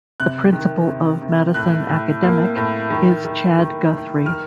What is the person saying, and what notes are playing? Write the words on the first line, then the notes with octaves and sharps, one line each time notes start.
The principal of Madison Academic is Chad Guthrie.
C3 F#6
D#3
C3
C3
A2 F#6
A2
A#3
A2
D#3
D#3
D#3
D#3
D#3 F6